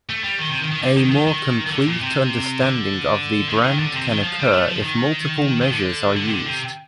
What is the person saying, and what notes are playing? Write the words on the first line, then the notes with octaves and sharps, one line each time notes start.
A more complete understanding of the brand can occur if multiple measures are used.
A3
G3
D#3
C3
D#3
D#3
D3
D#3
D#3
D#3
D#3
D3
A#2
C3
D3
D#3
D3
D#3
D3
C3
D#3
F3
G3
A3
F3
D#3
D#3
D3
D3
C3
D3
C3